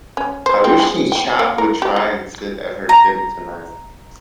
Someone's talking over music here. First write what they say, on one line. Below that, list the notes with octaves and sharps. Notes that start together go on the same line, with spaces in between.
I wish some chap would try and sit at her table tonight.
C#4
C5
C4
G#4
G5
A#3
A#4
G4
D#4
A#5